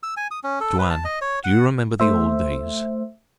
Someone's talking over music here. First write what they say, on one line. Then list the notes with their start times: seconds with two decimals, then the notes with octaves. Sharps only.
Tuan, do you remember the old days?
0.03 E6
0.17 G#5
0.31 D#6
0.44 C#4
0.61 A4
0.79 B4
0.90 A5
1.04 D#5
1.21 C#5
1.44 F#5
2.00 A3 C5 E5